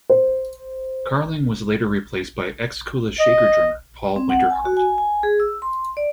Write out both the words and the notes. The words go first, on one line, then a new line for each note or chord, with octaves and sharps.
Carling was later replaced by ex-Kula Shaker drummer Paul Winter-Hart.
C5
D#5
C4
F#5
G#5
F#4
G#5
G#5
G#4
E6
C6
D5